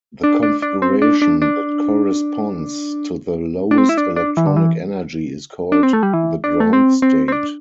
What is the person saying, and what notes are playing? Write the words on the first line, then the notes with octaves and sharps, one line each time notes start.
The configuration that corresponds to the lowest electronic energy is called the ground state.
D4
D4
D4
C4
D4
D4
D4
D4
C4
E4
D4
D4
E3
D3
E3
D4
C4
A3
G3
E3
D4
A3
C4
C4
C4
D4